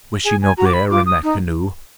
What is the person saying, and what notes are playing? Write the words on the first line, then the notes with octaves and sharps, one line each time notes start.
Was she not there in that canoe?
G#4 G#5
G#5
F#4 A#5
D6
B5
F4 D6
D#6
D#4